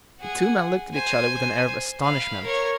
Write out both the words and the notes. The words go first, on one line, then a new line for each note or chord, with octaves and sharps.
The two men looked at each other with an air of astonishment.
G#4 F#5
C5 G#5
F5 B5
A#4 C#5